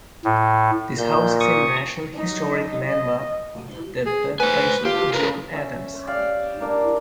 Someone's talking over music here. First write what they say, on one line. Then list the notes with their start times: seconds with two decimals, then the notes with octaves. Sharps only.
This house is a National Historic Landmark, the birthplace of John Adams.
0.25 A2
0.98 A#2 G6
1.40 C#6 D#6
2.15 F#3 D#4
2.87 D#5
4.06 G#4
4.40 B4 C5 G#5
4.85 F4 G4
5.13 G#4 A#4 B4
5.53 C#4 E5
6.07 G4 D5 E5 F5
6.60 A#3 D4 A#4